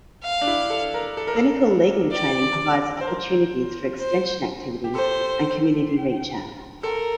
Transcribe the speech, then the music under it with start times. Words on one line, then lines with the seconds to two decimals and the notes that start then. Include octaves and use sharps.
Clinical legal training provides opportunities for extension activities and community reach out.
0.24 F5
0.41 D4
0.47 E4
0.70 A4
0.94 A#4
1.17 A4
1.27 A#4
1.36 A4
2.12 D5
3.01 C5
3.07 A#4
4.01 C5
4.84 G4
4.95 A4 C5
6.83 A4 A#4